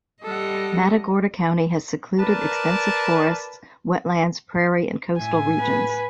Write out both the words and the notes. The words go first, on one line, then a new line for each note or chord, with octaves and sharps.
Matagorda County has secluded, extensive forests, wetlands, prairie and coastal regions.
G3 A4 D#5 F#5
A#4 B4 D5 A5
A2 G#5
B4